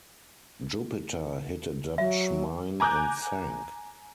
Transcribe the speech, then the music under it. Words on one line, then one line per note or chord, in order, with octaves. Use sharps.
"Jupiter" hit a Dutch mine and sank.
F#3 E5
G#5 A#5 D6 F#6 G6